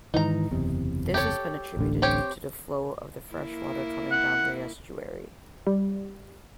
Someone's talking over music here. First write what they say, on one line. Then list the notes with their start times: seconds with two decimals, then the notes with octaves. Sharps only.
This has been attributed to the flow of the freshwater coming down the estuary.
0.14 G#2 D#3 E3 D#4 A#5
0.51 F#1 E2 C3
1.14 G4 A4 C#5
1.77 D1 A1 D3
2.02 C4 G4 C#5
3.33 A#3 E4
4.11 F#5
5.67 G3